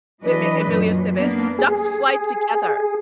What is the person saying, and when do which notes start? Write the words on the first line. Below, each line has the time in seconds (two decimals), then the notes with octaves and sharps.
With me Emilio Estevez. “Ducks fly together.”
0.23 E3 F#3 D4 B4 D#5
0.67 F#2 A#2
1.15 A#3 B3 D4
1.59 G#4